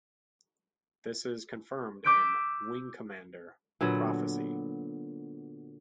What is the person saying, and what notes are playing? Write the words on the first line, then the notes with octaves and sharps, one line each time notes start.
This is confirmed in "Wing Commander: Prophecy".
D6 E6 G6 B6 D7
A#2 D3 F#3 B3